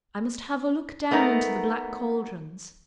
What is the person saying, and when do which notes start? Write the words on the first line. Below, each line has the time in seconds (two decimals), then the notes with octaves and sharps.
"I must have a look down into the black caldrons."
1.11 A3 B3 D#4 A#4